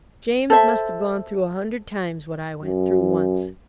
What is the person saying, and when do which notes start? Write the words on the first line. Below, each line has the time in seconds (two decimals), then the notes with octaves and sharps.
James must have gone through a hundred times what I went through once.
0.50 A4 C5 E5
2.62 F#2